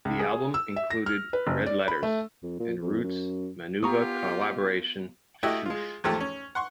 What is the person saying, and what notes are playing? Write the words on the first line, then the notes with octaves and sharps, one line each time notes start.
The album included "Red Letters" and Roots Manuva collaboration, "Shhhoosh".
C#2
G#4
E6
E5
A#6
F6
B4
F#1
D5
B5
A3
F2
A#2
F2
F#2
B3 F4 G4 A#5 C#6 D#6
A3 E4 F#4 G4 D#5
G#3 F4
E2 G#2 F3 A3 G4 E6
C#4
F#5 C6 C#6